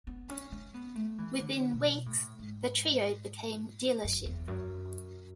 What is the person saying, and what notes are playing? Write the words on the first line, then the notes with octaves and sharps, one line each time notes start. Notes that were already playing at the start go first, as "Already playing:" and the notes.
Within weeks, the trio became Dealership.
B3
C#4
C#4
B3
A3
E3
D3
B2
A2
G#2
F#2
E2
F#2